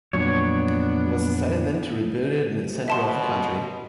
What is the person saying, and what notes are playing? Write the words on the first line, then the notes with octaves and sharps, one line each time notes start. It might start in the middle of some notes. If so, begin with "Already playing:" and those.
It was decided then to rebuild it in the center of the country.
F2 A#2 F#3 B3 D4 C#5
B2 E5 A5 C6